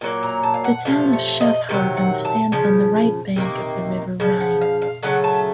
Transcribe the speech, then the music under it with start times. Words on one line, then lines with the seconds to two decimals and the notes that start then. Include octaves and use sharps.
The town of Schaffhausen stands on the right bank of the river Rhine.
0.01 A#2 F#3 A#3
0.23 A#5
0.43 A5
0.54 F5
0.64 F#5
0.85 C3 F3 A3 F5
1.13 C#5
1.41 D#5
1.69 C3 D#3 F#3
1.97 F#5
2.25 A5
2.52 C#3 F3
3.36 C3 D#3 A#3
4.20 C#3 F3
4.40 F#5
4.61 F5
4.82 F5
5.03 C#3 F#3 A3 F#5
5.24 A5